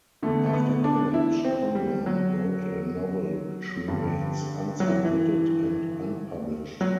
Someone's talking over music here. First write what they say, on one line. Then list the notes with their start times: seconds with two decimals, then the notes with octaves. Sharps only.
After college Conlon wrote a novel which remains unsubmitted and unpublished.
0.23 E2 D3 A3
0.46 A3
0.53 B3
0.84 D4
1.14 E4
1.44 C4
1.75 G3
2.06 F#3
3.88 G2 D3
4.80 F#3
4.88 E3
5.05 E3
6.81 F#3